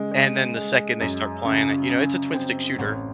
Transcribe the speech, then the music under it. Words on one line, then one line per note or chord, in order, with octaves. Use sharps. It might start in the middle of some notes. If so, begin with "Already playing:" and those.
and then the second they start playing it you know, it's a twin-stick shooter
Already playing: C#3 G#3
G#3
G#3
F#2
C#3
C#3
C4
A1